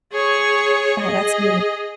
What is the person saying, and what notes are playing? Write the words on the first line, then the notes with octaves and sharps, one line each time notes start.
Oh, that's neat
G#4 C#5
G#4 D#5